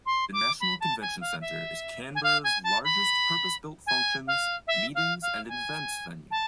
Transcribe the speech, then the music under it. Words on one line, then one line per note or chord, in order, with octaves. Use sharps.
The National Convention Centre is Canberra's largest, purpose-built functions, meetings and events venue.
C6
D6
B5
A5
G#5
F5
E5
G#5
F5
G#5
A5
B5
G#5
F5
E5
F5
F5
G#5
A5